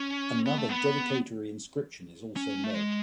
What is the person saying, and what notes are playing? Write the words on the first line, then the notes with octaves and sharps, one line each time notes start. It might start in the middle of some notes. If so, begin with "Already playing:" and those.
Another dedicatory inscription is also known.
Already playing: C#4
B3
A3
B3
C#4
A3
G#3